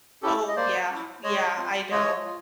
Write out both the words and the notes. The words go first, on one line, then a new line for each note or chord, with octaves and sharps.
Oh, yeah, yeah, I know.
C#4 E4 G4 A4
D#5
A#3 C5 D5
C#4 E4
G#3 C#5 D#5
C4 F4
G#3 C#5 D#5
F4